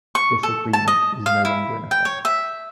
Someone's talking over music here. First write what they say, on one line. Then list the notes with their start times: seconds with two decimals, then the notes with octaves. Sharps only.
This agreement is no longer in effect.
0.15 C#6
0.43 A4
0.73 A5
0.88 D#5
1.26 F5
1.45 E4
1.91 G5
2.05 C#5
2.25 E5